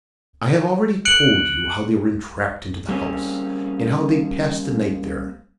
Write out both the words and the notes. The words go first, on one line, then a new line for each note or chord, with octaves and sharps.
I have already told you how they were entrapped into the house, and how they passed the night there.
F#6 C#7 D7 F#7
G3 A#3 C4 C#4 G#4